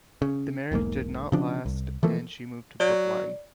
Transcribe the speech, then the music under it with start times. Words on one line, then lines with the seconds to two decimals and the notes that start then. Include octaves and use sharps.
The marriage did not last and she moved to Brookline.
0.22 C#3
0.72 E1 B1 G#2 A#3
1.32 C#3 F3 D4
1.66 C2
2.03 E3 F3 A3 A#3
2.80 F#3 D5